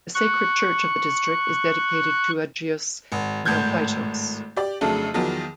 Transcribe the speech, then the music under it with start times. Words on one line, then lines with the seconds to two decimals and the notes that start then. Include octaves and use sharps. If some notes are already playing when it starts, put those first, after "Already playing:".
The sacred church of the district is dedicated to Agios Neophytos.
0.14 C#6 F#6
3.12 G#1
3.45 G#1 A2 G6 G#6
4.56 G4 D5
4.81 F2 C#3 F#3 A3 D4
5.14 E2 D#3 F3 F#3